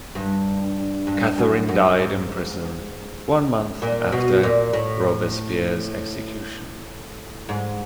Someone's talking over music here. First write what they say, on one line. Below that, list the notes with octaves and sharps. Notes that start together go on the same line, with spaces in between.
Catherine died in prison one month after Robespierre's execution.
G2
G2
F#2
F#2
G#2
A#2
B2
A#2
A2
G#2